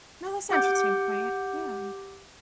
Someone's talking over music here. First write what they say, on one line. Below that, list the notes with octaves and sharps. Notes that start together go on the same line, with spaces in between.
Now that's an interesting point, yeah.
G4 F#5 D6 G6